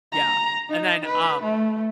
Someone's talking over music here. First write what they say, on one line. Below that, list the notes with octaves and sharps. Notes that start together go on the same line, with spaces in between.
Yeah, and then, um
A#5
D#4
B4
A3